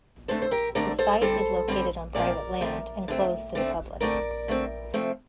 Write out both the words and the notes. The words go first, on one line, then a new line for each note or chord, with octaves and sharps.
The site is located on private land and closed to the public.
D3 A3 C4 A4 C5
C5
G4 A#4
D3 A3 C4 A#4 D5
A4 C5
D3 G3 C4 A4 C5
D3 G3 C4
A#2 F3 A3 C4 A#4 D5
A#2 F3 A3 C4
D3 A3 C4
D3 A3 C4
D3 A3 C4 A#4 D5
D3 A3 C4
C3 F3 A3 C4